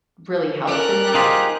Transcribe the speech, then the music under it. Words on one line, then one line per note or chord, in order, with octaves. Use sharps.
really helps in that
C#4 A4 A#4 D5 F#6
D#4 F4 G4 G#4 C5